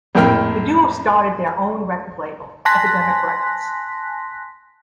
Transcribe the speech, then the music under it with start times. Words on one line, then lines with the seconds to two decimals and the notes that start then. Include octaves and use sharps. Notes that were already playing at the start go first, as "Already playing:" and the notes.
The duo started their own record label, Epidemic Records.
0.15 A#1 F2 A2 A#4 G5 F6
2.65 G#5 A5 C6 F#6 A#6 B6